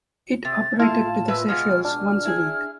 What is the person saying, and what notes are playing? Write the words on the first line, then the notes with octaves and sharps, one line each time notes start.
It operated to the Seychelles once a week.
C3 A6
A2 E4 F4 F5 A5
A#2 B4 E5
B2 G#3 F4 F6
D4 F6
E4 G#4